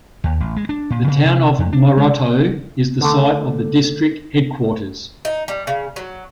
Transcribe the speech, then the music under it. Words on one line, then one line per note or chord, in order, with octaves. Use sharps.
The town of Moroto is the site of the district headquarters.
D#2
A1
G#3
D4
A#2
C#3
C3
F2
D4
G#3
D3 A3
D#4
G3
C#3
F#3